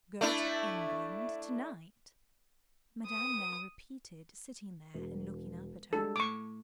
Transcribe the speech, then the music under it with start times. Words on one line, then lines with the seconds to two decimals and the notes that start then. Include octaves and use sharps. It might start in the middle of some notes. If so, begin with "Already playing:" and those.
"Go to England to-night!" Madame Merle repeated sitting there and looking up at her.
0.21 A3 D4 E4
3.07 D#6
4.94 E1
5.93 G3 G#3 D4 A4
6.16 A2 C#6 D6